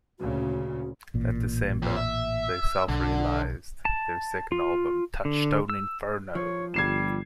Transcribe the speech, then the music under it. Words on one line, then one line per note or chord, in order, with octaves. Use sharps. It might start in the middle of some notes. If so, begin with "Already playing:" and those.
That December they self-released their second album Touchtone Inferno!!!
D2 A#2 C#3 F#4
A1 A#2
F2
E5
B1 D3
A5
F4
D3
E6
F3 C#5
G1 G3 G#6 C7 E7